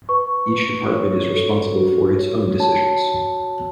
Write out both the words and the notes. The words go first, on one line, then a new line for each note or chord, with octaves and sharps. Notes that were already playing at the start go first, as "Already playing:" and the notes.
Each department is responsible for its own decisions.
B4 C#6
B4
C#5
A4
F#4
C#5
C#5 A5